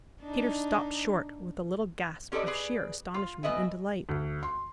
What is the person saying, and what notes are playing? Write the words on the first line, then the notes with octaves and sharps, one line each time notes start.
Peter stopped short with a little gasp of sheer astonishment and delight.
D4 D#4
C#4 G4 A4 B4 D5 D#5
G#4 B4 D5
F4
B2 B4 D#5 E5 G#5
D2
C6